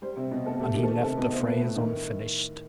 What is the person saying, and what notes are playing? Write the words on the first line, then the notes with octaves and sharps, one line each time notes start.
And he left the phrase unfinished.
G3 C5
C3
B2
A3 A4
A3 G4
D#3 G4
A4
A3 G4
C3 A4
B2 B4
A3 C5
A3 B4
A2
D#3